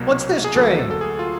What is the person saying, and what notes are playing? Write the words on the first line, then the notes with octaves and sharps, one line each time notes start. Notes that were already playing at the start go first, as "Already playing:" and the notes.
"What's this train!"
Already playing: C2 B2 F#3 A#3
G#4
D2 D3 F#3 A#3 A4
A4
A4
G#4
F4